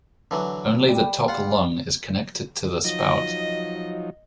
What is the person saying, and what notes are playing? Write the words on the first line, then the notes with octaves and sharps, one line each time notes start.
Only the top lung is connected to the spout.
D3 E3 F#3
G3
F4 F#5
F3 F#3 D#4 D#5